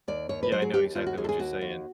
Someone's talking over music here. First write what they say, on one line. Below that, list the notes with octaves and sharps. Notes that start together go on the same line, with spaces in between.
Yeah, I know exactly what you're saying.
D#2 D5
D#2 C#5
B4
F#3 C5
G#4
D#2 G4
D#2 F4
F#4
D#2 G#4
A4
G#4
D#2 F#4
D#2